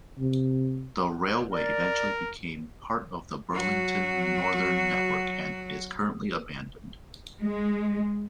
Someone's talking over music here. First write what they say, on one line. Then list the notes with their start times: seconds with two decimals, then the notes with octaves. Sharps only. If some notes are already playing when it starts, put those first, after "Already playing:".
The railway eventually became part of the Burlington Northern network and is currently abandoned.
0.19 C3
1.52 A#4 D5
3.54 F#3 F#4
7.42 G#3